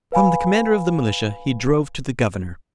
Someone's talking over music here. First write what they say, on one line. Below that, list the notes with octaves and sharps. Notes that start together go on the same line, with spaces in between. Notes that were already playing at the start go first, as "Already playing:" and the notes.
From the commander of the militia he drove to the governor.
B4 F5 G#5 B5